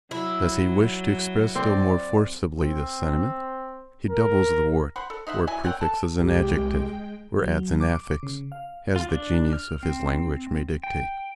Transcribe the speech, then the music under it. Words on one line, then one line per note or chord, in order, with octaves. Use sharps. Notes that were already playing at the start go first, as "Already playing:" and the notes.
Does he wish to express still more forcibly this sentiment, he doubles the word, or prefixes an adjective, or adds an affix, as the genius of his language may dictate.
F#3 E4
C4 D5
C4
A#4
C5 F#5 B5
A4
D#4 C5 E5 F#5
F#3 E4 G#5
C4 C#5 F#5 G5
A4 A5
C2 G#3 G4 G5
F#3
D6
D6
C#3
F5
F4
D4
F6
C4
G5